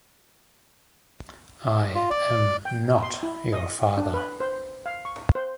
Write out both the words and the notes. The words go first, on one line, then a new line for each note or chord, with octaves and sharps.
I am "not" your father!
F4
D5
G5
C6
E4
D#5
D4
B4
C5
F5
C#6
C5